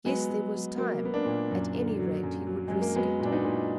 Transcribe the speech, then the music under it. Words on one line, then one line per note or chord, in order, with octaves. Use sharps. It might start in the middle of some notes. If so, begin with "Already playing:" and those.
Yes, there was time; at any rate he would risk it.
F#3 G#3 B3
F#3
F#3
F#3 A#3
F#3 B3
A#3 D4
A#2
F#2
D3
F#3
F#2
F#3
F#2 G#3
A#3
F#3 G#3 B3
A#2
D4
B3 D#4
A#2